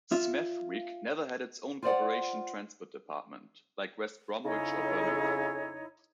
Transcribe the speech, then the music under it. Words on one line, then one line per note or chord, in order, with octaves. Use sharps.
Smethwick never had its own Corporation Transport Department, like West Bromwich or Birmingham.
F4 E5
F4 C5 D5 F#5
F2 C#3 D#4 E4 C#5